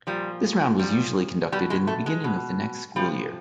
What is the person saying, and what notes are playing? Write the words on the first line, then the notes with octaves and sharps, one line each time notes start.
This round was usually conducted in the beginning of the next school year.
A#2 F3 G3
A#2 F3 G3
B2 G3
G#3
A3
G#3
B2
C3 F3 G3